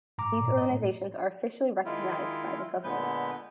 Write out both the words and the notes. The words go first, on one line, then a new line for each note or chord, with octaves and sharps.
These organizations are officially recognized by the government.
G#2 A#5 D6
A#2
D#5
A2
D#3 G#3 E4 F4
A#2 D3 G#3 B3 B4 G6